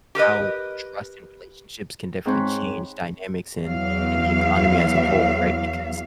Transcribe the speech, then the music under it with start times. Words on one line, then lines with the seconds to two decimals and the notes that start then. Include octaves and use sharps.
how trust in relationships can definitely change dynamics in in the economy as a whole, right? Because,
0.15 G4 A#4 B4 D#5
2.26 G#2 C4 C5 C#5 B5 F#6
3.60 E2 F#3 F5